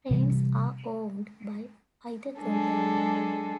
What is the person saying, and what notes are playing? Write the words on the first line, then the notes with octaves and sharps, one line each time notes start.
Trains are owned by either company.
C3 E3 G3
F#3 G#3 D4 G#4 A4